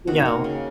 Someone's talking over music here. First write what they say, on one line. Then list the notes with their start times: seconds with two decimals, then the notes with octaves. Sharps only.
you know?
0.07 D#3 F#4
0.25 A#3
0.44 C#3